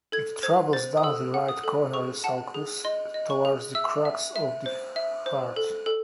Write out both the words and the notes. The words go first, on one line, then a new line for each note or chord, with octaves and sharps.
It travels down the right coronary sulcus, towards the crux of the heart.
A4 G#6
C5 G#6
C5 A6
D#6
A4 E6
F#5
D#6
A4
G#4 C#6
F#5 A5
G#4
D#5 C6
D#5
C#6
G#4
E5 E6
E5
E5
C5
E5
C5
A4
A4